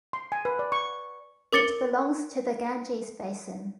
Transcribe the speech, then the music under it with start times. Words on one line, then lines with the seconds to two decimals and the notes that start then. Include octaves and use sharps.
It belongs to the Ganges Basin.
0.13 C6
0.32 G#5
0.45 B4
0.59 D5
0.72 C#6
1.52 A#4 D6 A6 C#7 G7